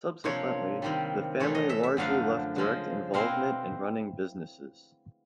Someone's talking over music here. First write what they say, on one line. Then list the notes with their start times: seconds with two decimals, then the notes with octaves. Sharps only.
Subsequently, the family largely left direct involvement in running businesses.
0.24 C3 F3 A#3 D4 C#5
0.82 C3 D#3 G3
1.40 C3 E3 A3 C#5
1.55 D#5
1.69 E5
1.83 E5
1.97 F#2 D3 F3 A3 F5
2.56 C#3 F3 G#3
3.14 B2 G#3 C4 E4 F5